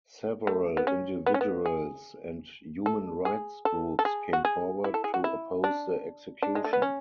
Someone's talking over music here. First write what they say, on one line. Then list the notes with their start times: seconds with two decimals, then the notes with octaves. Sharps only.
Several individuals and human rights groups came forward to oppose the execution.
0.47 A3
0.77 B3
0.87 C#4
1.26 B3
1.34 C#4
1.41 B3
1.66 G#4
2.86 A4
3.25 G#4
3.65 A4
3.99 A4
4.05 G#4
4.33 F#4
4.45 G#4
4.84 E4
4.94 A4
5.04 G#4
5.14 F#4
5.24 E4
5.64 D4
6.42 D4
6.55 G#3
6.64 A3
6.73 B3
6.82 C#4